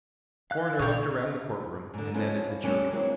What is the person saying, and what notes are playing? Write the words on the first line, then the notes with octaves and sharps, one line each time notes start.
The coroner looked around the courtroom and then at the jury.
F5 F#6
A#2 D3 D4 D#4 A4 C#5 G5
G#2 D3
F3 G#3 C#4 D4 E4
G3 A3 C#4 D4
E3 F#3 G#3 A#3 C4